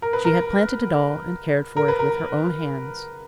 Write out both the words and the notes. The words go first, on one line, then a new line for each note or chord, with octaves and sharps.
She had planted it all and cared for it with her own hands.
A#4
B4
A#4
A#4
B4
A#4